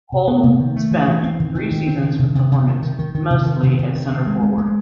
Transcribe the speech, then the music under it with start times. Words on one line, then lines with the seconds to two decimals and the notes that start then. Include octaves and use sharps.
Holton spent three seasons with the Hornets, mostly at centre forward.
0.12 C3
0.28 B3
0.43 C3
0.60 D#3
0.76 A3
0.91 E3
1.08 E3
1.24 C4
1.40 D#3
1.55 D#3
1.71 D#3
1.87 C4
2.04 D#3
2.19 C3
2.35 C3
2.52 C3
2.67 D#3
2.82 D#3
2.99 D#3
3.15 D#3
3.30 C3
3.46 D#3
3.63 C3
3.79 C3
3.95 D#3
4.11 C4
4.26 G#3
4.42 G#3
4.58 G#3